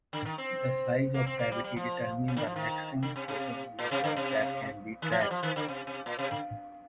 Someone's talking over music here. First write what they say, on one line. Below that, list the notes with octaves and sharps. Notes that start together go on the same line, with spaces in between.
The size of the cavity determines the maximum photon wavelength that can be trapped.
D3
D#3
C4
A#3
C4
A#3
G3
G3
F3
C3
D3
F3
D#3
D3
C3
C3
A#2
C3
D3
C3
D#3
F3
G3
F3
D#3
D3
C3
C3
A#2
C3
D3